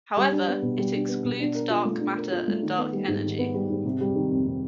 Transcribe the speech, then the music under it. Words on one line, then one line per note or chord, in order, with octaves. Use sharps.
However, it excludes dark matter and dark energy.
G3
D4
B3
B2
G3
D4
B3
B2
D4
A#4
F4
A3
D4
A#4
F4
A3
D#3
B3
G3
G#2
D#3
B3
G3
G#2
C3
G3
D#3
F2
C3